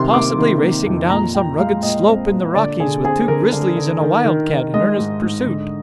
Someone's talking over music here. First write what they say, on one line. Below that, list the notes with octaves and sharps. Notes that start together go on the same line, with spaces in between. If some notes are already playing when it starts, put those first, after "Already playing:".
Possibly racing down some rugged slope in the Rockies with two grizzlies and a wildcat in earnest pursuit.
Already playing: C3 D#3 C6
A#3 D6
D#3
A#3
F2
A#2 A#5
A#2 G5
G#3 F5
A#2 D#5
C4
A#2
D3 D5
D3 G#4
C4 G#4
D3 A#4
D3
D3
D#3
D#3
D#3
G#3 D#5
G#2
G#2
D3